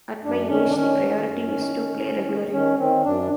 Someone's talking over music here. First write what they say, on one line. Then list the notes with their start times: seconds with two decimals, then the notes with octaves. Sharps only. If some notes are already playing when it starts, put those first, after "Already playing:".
At my age, the priority is to play regularly.
0.25 F#2 D4
0.50 D#3 C#4
0.70 D4
0.76 D#3 C#4
1.01 D#3
1.26 F#2
1.52 D#3
1.76 D#3
2.02 D#3
2.27 D#3
2.53 D#3 C#4
2.78 D#3 C4
3.04 F#2 D4